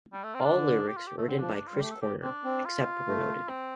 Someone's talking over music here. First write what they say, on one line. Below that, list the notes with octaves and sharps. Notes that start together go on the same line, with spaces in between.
All lyrics written by Chris Corner, except where noted.
G3
A3
C4
F4
D4
D3
G4
F4
G4
A3
D3 C4
F3 D4
D4
F4
G3
A3 G4
A4
G4
C4 D4
C4
F4
A3
C4